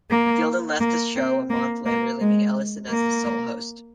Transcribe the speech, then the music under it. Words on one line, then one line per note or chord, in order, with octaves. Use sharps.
Gilden left the show a month later, leaving Ellison as the sole host.
A#3
A#3
C4
A#3
A#3
G#3
A#3